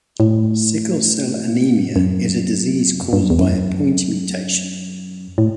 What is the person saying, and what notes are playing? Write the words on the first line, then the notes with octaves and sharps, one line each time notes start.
Sickle Cell anemia is a disease caused by a point mutation.
A2
F#2
G2
F#2
E2
F#2
A2